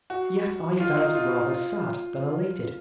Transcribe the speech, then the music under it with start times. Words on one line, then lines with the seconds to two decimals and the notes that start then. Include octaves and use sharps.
Yet I felt rather sad than elated.
0.10 F#4
0.80 F4
0.97 D#4
1.15 F4
1.50 F4